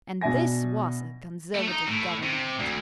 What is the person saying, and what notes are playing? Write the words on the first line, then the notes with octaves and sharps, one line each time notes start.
And this was a Conservative Government!
B2 D4 E5 G#5 A#6
A3
D#4
A2
C3
D2